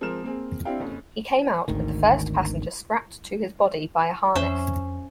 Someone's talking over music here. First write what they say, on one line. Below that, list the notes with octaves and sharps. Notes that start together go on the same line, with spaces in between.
He came out with the first passenger strapped to his body by a harness.
F3 G#3 C4 A#4 F6 E7
A#3 C4 G#4
C4 D4 E4 G4 F5 G5
F#1 F2 C#4
G#1 D2 D#3
F2 C#4 C5 E5